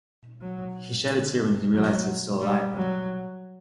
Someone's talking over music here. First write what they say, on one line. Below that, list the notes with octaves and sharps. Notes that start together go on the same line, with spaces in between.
He shed a tear when he realized he was still alive.
F#3
D3
F#3
G3
F#3